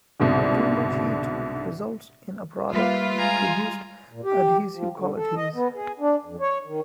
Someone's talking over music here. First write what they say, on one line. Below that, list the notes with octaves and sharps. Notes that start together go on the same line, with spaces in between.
Too much heat results in a product with reduced adhesive qualities.
C2 G#2 B2 D3
G3 A#3 F4 B4 E5
G#3 G#5 A#5
A#2
G4
F3
D3
A4
D#5
B3
G#4
D4
F2
C#5
D#3